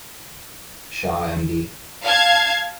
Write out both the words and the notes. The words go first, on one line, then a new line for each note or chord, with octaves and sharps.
Shah Md.
F5 A5 G#6